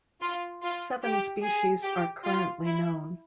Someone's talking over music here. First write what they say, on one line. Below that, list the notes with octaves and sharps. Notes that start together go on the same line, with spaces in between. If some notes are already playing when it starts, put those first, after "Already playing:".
Seven species are currently known.
F4
F4
G4
G#4
G4
F4
E4